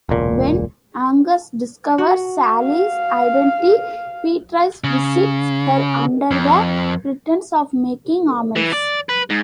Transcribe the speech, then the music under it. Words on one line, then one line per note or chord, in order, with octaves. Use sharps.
When Angus discovers Sally's identity, Beatrice visits her under the pretense of making amends.
E1 C#2 A#2
F#4
F5
C#3
F2
E3
D5
B4
G#2